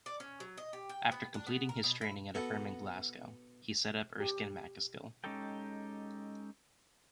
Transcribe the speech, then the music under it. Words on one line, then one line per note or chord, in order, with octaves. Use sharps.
After completing his training at a firm in Glasgow, he set up Erskine MacAskill.
D5
C#4
F#3
D#5
G4
G5
B3
D4
B3
A#4
B2
E4
B3 F#4 A4
G4
G#3 C#4 D#4 G4 A4 G5